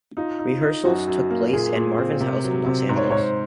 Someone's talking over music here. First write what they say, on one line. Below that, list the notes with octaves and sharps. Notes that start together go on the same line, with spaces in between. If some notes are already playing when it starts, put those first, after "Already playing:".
Rehearsals took place at Marvin's house in Los Angeles.
D#4 F4
D#4
D#4
F#2 F#4
F#2
A#3
A#2 G#4
A#2
C4
C3 A#4
F#3
C3
G#2 C5
C#5
C5
G#2 C#5
C5